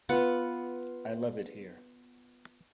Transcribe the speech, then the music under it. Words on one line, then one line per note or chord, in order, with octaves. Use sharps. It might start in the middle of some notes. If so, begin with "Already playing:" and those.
I love it here.
B3 F4 B4 F#5